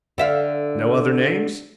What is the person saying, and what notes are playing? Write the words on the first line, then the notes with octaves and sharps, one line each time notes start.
"No other names?"
D3 E5 F5